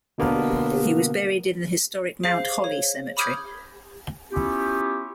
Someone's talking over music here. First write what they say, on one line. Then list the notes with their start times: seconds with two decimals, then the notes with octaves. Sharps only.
He was buried in the historic Mount Holly Cemetery.
0.18 B2 D3 A#3 B3 D4 A#4
2.23 G#4 C5 F5 C7
2.64 C#5
3.17 B5 D6 D#6 F6 G6 G#6
4.31 B3 C#4 E4 F4 G4